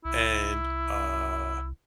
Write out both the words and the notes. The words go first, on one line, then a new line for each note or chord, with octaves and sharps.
and, uh,
C2 E4